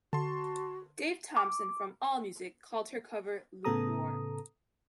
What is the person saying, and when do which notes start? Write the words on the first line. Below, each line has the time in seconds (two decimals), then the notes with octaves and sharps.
Dave Thompson from AllMusic called her cover "lukewarm".
0.13 D3 F#4 A5 C6
1.37 D6
3.64 A2 C#3 B3 A4 A#5 D#6